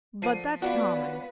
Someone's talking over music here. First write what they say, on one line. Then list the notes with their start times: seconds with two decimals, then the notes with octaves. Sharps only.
'But that's common.
0.22 A#2 D3 F3 C7 D#7
0.62 B3 D4 F4 F#4 B4 C#5 D5